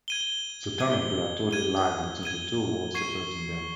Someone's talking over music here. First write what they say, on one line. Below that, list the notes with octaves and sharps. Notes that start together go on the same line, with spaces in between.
The town of Biratori lies between the two wards separating them.
G#6 D#7 G7
G#6 D#7 G7
G#6 D#7 G7
G#6 D#7 G7
C#6 G#6 C7 D#7 G7